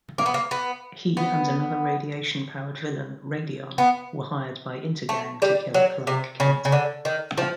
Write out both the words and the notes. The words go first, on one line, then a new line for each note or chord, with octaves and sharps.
He and another radiation-powered villain, Radion, were hired by Intergang to kill Clark Kent.
A#3
B3
A#3
B3
B3
B3
A3
G3
F#3
C3
C#3
C#3
D3
D#3
F3